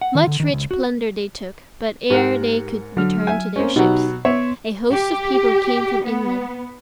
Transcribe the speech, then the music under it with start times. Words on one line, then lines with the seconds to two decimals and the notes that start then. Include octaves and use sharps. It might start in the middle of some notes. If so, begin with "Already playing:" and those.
Much rich plunder they took, but ere they could return to their ships, a host of people came from inland.
0.01 F#5
0.15 D#3
0.27 D3
0.40 D#3
0.53 C#2
0.71 F#4
2.10 G#2 G4 A#4 F#5
2.97 D3 F#3 F6
3.27 E5 G#5
3.56 A#3 C4 C#4
3.76 B2 F#3 D#4 G4
4.25 B3 C#5 E5 C6
4.91 G4
6.06 B3